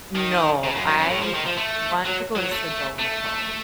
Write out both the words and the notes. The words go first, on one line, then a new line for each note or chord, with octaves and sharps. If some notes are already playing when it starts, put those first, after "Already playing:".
No. I want to go to Sedona, though,
D#3
C#3
F#2
F#2
F#2
A2
F3
D#3
F3
A3
F#3
F#3
A3
A3